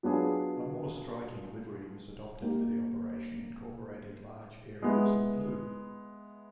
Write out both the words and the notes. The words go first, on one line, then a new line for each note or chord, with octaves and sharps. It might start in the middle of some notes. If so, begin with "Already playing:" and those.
A more striking livery was adopted for the operation incorporating large areas of blue.
F#3 B3 D4 F4 G#4
A#3 D#4 G4
G#3 B3 E4